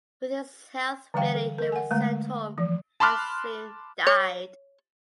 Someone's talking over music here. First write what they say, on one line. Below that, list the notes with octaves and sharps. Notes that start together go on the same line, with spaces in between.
With his health failing he was sent home and soon died.
D3 E3 G3 B4 F5 G5
A4
A#4 D#5
F#5 G#5
D3 G#3 A3
E3 F3
A5 B5 C6 D6 F6 F#6
C#5